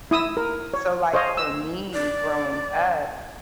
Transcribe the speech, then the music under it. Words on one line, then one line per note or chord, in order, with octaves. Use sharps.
So, like, for me growing up
E4 D#6 E6
A#4
C#5
C5 C#5 D#5 F5
E6
D5